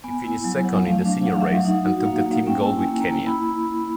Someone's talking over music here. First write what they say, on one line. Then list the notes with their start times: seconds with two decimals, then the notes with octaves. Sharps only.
He finished second in the senior race and took the team gold with Kenya.
0.04 B3 G#5
0.24 E4 G#5
0.44 F#3
0.64 F#3 F#5
0.85 A3 F5
1.05 D4
1.26 F#3 F#5
1.33 F5
1.41 E5
1.45 F#3 F5
1.65 D#4 F#5
1.86 F#4
2.05 A#3 F5
2.26 A#3
2.47 C#4 G5
2.66 E4
2.73 G#5
2.87 A#3
3.01 A#5
3.06 A#3
3.26 E4 B5